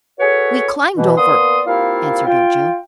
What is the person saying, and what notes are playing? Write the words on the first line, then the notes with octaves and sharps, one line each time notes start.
"We climbed over," answered Ojo.
F#4 G#4 A4 B4 C#5
B2 E3
A#3 B3 D5 C6 D#6
A#3 C4 E4 F4 G4 F5
F4 G5